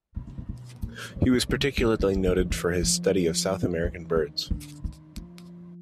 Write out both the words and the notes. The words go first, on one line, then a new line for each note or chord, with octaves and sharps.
He was particularly noted for his study of South American birds.
B2
C3
B2
B2
A#2
B2
C#3
D#3
E3
D#3
D#3
E3
F3
D#3
E3
F3
E3
D#3
D3
D#3
F3